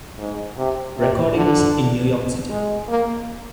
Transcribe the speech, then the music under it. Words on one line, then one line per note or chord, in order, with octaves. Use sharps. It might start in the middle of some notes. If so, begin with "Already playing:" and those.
Recordings in New York City.
G#2
C3
C3
D3
G#3
A#3